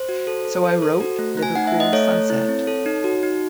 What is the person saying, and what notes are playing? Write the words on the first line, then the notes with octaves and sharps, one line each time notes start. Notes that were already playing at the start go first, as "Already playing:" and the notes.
So I wrote 'Liverpool Sunset'.
Already playing: C5
F#4
A4
A4
A4
A4
F#4
A3
A3
G#5
D#4 F#5
E5
A3
D#5
A3 A4 C#5
A3
E4
C4
A4
D#4
F#4
D#4